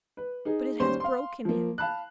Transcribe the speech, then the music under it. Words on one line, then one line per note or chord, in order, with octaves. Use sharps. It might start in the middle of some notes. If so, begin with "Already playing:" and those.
But it has broken him.
B4
D#4 G#4
D#2 G3 C#4 C5 C6
F5 C6
F3 A#3
F5 A5 B5 F#6